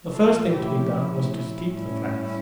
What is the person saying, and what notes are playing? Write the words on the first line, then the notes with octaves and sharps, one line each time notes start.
The first thing to be done was to steep the flax.
A#2 F3 A3 C#4 F4 A4
E4 G4
E4
A2 G3 C#4 E4